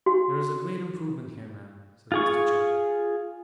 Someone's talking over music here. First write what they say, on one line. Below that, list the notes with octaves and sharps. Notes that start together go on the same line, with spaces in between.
'There is a great improvement here, ma'am?' says Mr. Chillip.
F#4
F4 G#4 C#6